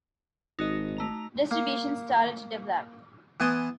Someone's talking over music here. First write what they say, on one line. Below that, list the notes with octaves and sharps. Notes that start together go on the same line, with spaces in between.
Distribution started to develop.
G#1 D#4 F#4 D#5
A3 A#5 F7
A#3
E3 B3 G#5 A5 C6 D#6